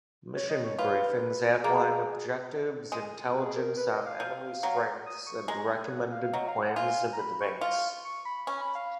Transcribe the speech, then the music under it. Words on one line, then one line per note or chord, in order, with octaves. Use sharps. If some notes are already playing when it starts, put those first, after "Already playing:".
Mission briefings outline objectives, intelligence on enemy strengths and recommended plans of advance.
C#5
D#5
C#5
F4 B4
A#3 G#4
G#3
G#4
A#4
B4
D#5
F5
F3
F#3
D#6
C#6
G#3 A#5
G#5
G#5
F#5
F5
F5
F#3 D#5
F5
F#5
F4 G#5
A#5
B5
C#6
F4
C#6
B5
C#4 C#6
B5
F5